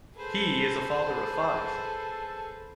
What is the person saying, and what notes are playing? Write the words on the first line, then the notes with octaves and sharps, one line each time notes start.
He is a father of five.
G#4 A4 B4 C5